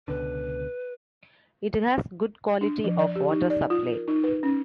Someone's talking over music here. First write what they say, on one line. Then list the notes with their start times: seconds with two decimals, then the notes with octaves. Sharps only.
It has good quality of Water Supply.
0.08 C#2 B2 D3 B4
2.61 D4
2.84 F3
2.99 D5
3.16 G4
3.31 D#4
3.50 D5
3.70 F4
3.92 A#4
4.08 D#4
4.24 B4
4.43 C#4